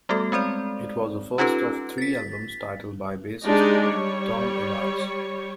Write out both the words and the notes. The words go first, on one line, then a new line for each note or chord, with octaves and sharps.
It was the first of three albums titled by bassist Tom Evans.
G3 A3 B3 F#4 A4
G#3 C4 C5 D5
C#4 D#4 F4 G4 A4 B4
A6 B6
G#3 D4 D#4 G4
G3 C#5